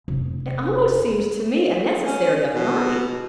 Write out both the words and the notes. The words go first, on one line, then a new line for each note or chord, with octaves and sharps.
It almost seems to me a necessary of life.'
F1
C#4
B2